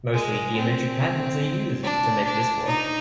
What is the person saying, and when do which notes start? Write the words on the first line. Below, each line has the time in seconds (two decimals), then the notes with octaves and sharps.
Mostly geometric patterns are used to make this work.
0.14 G#3
0.57 C4
1.83 D4
2.24 D4
2.67 D#4